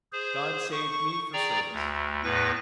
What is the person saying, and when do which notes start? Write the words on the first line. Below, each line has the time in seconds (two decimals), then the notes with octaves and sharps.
God saved me for service.
0.13 G#4 C5
0.72 C#6
1.33 G#4 D5 G5 A#5
1.72 D2
2.24 E2 A2 B4 A#6